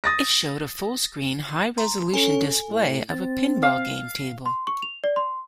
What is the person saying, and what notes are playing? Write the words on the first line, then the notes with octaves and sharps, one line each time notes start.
It showed a fullscreen high resolution display of a pinball game table.
D#6 A6 A#6
A#5 C6
C#4 A4 G#5
A2
C4 A6
F5
C6
C#6
F7
D5
C6